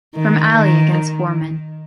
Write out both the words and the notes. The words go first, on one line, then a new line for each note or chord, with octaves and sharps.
From Ali against Foreman.
D#3
D#3